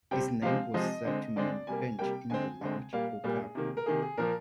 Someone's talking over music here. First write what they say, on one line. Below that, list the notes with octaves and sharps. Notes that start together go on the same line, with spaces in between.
His name was said to mean "bench in the lodge or platform".
C3 G3 C4 G5
C3 F3 G#3 C4 F5
C3 F3 G#3 C4 D#5
D3 G#3 C4
D3 G#3 C4 D5
C3 G3 A#3 G#5
C3 G3 A#3 G5
D3 G#3 C4 G#5
D3 G#3 C4
A#2 G3 A#3 F5
A#2 G3 A#3 G#4
C3 D#3 A#3
A#4
C3 D#3 A#3 G#4
G#4
A#2 F3 A#3 A#4